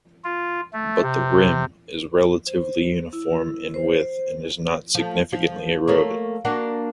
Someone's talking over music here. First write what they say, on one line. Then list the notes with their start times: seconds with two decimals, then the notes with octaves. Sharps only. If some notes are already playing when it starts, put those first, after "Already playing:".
But the rim is relatively uniform in width and is not significantly eroded.
0.24 F4
0.73 A3
1.02 C3
2.47 C5
3.13 E4
3.74 C5
4.95 F3 A3
5.32 F3
5.88 A3 A#3 C#5
6.45 A#3 D4 F#4